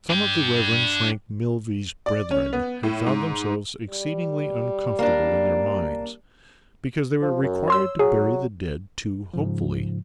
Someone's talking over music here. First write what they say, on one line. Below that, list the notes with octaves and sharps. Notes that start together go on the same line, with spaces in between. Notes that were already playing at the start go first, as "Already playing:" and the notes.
Some of the Reverend Frank Milvey's brethren had found themselves exceedingly uncomfortable in their minds, because they were required to bury the dead too hopefully.
D4 G5
D5
C#4
B3
A2
G#2
G3
A#3 D4
F3
F#2
C#5 C6 E6
F#3 G#4
G#2 C#3 F3